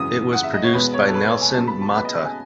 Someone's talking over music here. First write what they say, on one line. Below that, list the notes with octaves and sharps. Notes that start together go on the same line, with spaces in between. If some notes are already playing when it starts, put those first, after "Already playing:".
It was produced by Nelson Motta.
Already playing: G#1 F#2 C#3 E3 D#6
F#5
E5
D#5
C#5
E2 B2 G#3 B4
C#5
A4
B4
C#5
G#5
D#2 C#3 F#3 B3 A5
B5
A5
B4
D#5
D#5
G#5